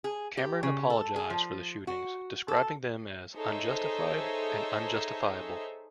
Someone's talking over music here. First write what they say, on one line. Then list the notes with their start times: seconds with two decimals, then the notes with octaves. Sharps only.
Cameron apologised for the shootings, describing them as "unjustified and unjustifiable".
0.04 G#4
0.37 G4
0.63 C#3
0.90 A4
1.16 G#4
1.30 F3
1.87 F#4
2.48 A4
3.35 D#4 G#4 A4 C5 C#5 E5